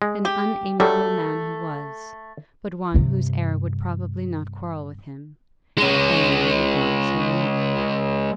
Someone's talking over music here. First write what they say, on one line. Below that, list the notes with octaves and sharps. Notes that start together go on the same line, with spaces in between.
An unamiable man he was, but one whose heir would probably not quarrel with him--if only he would die soon enough.
G#3
G4
F#3 G3 A3 D4 A4
G2 C3
G#3 C#4